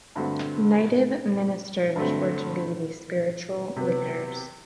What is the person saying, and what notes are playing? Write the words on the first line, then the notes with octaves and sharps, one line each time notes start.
Native ministers were to be the spiritual leaders.
G2 D3 A3 C4 F#4
G2 D3 F#3 A3 C4
C3 F#3 B3